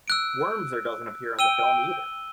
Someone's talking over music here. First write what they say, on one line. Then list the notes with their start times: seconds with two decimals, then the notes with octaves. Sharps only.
Wormser doesn't appear in the film either.
0.08 E6 F#6 D7
1.39 G5 E6 D#7 G7